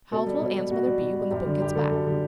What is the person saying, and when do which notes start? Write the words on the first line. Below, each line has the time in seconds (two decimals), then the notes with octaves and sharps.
How old will Ann's mother be when the book gets back?
0.11 B2 A4
0.26 G3
0.41 B2
0.56 G3
0.71 B2 F#4
0.86 G3
1.01 B2
1.16 G3
1.31 F#2 G4
1.46 D3 G3
1.61 F#2 G4
1.75 D3 G3 A4
1.90 F#2 A4
2.06 D3 G3 G4